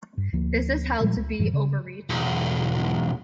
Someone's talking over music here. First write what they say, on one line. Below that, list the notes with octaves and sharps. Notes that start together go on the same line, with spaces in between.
This is held to be "overreach".
G2
D2 F3 A#3
A#2 F3 G3 G#3
C#2
F#2 A2 E3 G3
C#3
B1 E2